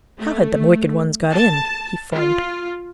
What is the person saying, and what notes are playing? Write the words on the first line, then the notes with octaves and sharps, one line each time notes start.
"How had them wicked ones got in?" he foamed.
A3
A5
F4